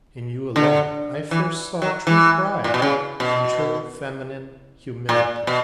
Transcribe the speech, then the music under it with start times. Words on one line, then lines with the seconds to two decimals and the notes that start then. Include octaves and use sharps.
In you alone I first saw true pride and true feminine humility.
0.56 D3
1.31 E3
1.82 F#3
2.07 E3
2.64 A#2
2.74 B2
2.82 C#3
3.20 B2
5.09 A#2
5.47 B2